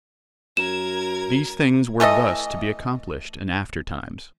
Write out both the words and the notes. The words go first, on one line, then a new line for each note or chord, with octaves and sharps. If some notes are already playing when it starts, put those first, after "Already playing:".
These things were thus to be accomplished in after times.
F#2 A#4 G#6 E7
E3 A3 A4 D#5